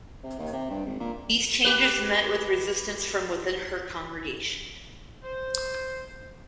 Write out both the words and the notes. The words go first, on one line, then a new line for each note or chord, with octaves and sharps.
These changes met with resistance from within her congregation.
C3
D#2
C3
G2
G#1
A#2
G4 B4
C5